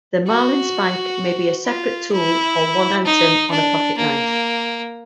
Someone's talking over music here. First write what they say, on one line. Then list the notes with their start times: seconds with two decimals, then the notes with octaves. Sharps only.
The marlinspike may be a separate tool or one item on a pocket knife.
0.28 F#4
1.66 F4
2.13 E4
3.05 D#4
3.51 D4
3.98 A#3